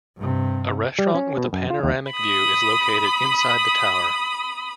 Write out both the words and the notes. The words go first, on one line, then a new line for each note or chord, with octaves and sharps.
A restaurant with a panoramic view is located inside the tower.
G2 C3
G3
C#4
B2
F#2
F4
D#2
B5 D#6